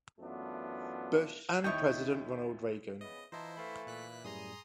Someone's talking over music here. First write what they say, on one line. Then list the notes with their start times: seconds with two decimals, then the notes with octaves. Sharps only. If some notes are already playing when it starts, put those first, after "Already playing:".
Bush and President Ronald Reagan.
0.20 F#2 E3 A3 B3 D4 F4
1.64 D#2 D#3 E4 C#5 D#5 G5 C#6
3.01 G#2 C#3 E3 B3 D#5
3.32 E3 F3 E4 C5 D#5 A5 A#5 C6
3.57 E3 A3 F5 B5
3.87 A#2 F#6 B6
4.24 F#2 A2 G3 G#4 A#5 C6 D#6